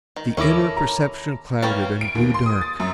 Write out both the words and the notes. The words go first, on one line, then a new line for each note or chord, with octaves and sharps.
The inner perception clouded and grew dark.
D#3
D#2 C#4 E4 A4 A#4 D6 A#6
A#5
E3 A#3 C#4 G5 F6 A6
D7
D#2
C6
D#6
A6
F#2